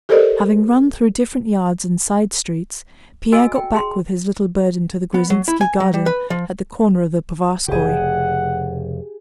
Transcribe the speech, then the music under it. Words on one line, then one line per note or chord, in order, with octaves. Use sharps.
Having run through different yards and side streets, Pierre got back with his little burden to the Gruzinski garden at the corner of the Povarskoy.
G4 A4 A#4 C5 D5 D#5
F#4 A4 D#5 G#5 E6
G5
G#4 C6
B3
F#3
E4
G#5
F#3
G3
B4
F3
F1 C#3 G4 G#4 F#5